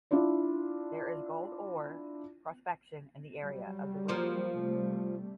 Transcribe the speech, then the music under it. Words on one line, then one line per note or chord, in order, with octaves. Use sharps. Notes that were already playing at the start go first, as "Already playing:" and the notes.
There is gold ore prospection in the area of the range.
D4 E4 F4 D5
F#3 G3
F3 A#3 F4
C3 G3 A3